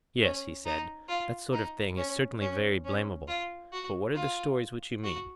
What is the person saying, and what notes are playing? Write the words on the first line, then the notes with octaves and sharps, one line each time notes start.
Yes, he said, that sort of thing is certainly very blameable; but what are the stories which you mean?
C#4
D#4
F4
D#4
C#4
C#4
C#4
F4
F#4
F4
F#4